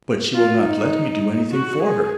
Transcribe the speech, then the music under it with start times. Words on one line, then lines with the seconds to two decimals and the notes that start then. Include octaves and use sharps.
"But she will not let me do anything for her."
0.35 F4
0.63 D#4
1.52 F#4
1.82 G#4